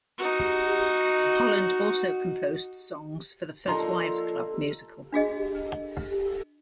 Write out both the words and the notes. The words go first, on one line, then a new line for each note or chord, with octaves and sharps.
Holland also composed songs for the "First Wives Club" musical.
D#4 F#4
F3 A#3 D4 D#4 A4 A#5 C6
D4 F#4 G#4 D#5